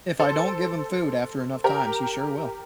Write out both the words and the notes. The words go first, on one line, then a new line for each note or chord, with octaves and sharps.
If I don't give him food after enough times, he sure will.
A4 C5
G4 A#4